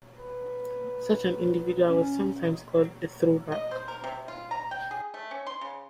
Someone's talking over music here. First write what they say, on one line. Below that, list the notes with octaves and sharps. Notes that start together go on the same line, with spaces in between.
Such an individual was sometimes called a "throwback".
B4
C#4
D#5
C5
A#4
C3
F4
A#5
G5
G#4
A3
C#4
C6
C#3